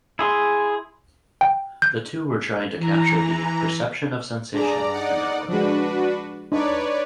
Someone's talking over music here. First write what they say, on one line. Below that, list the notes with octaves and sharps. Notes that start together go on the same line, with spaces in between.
The two were trying to capture the "perception of sensation" in their work.
E4 G#4 C6
G5
G6
E3 A#5
G2 D4 G#4 D5 A#5
D#4 D5 F#5
F3 G#3 D4 F#4 B4
D4 D#4 B4 C#5 D5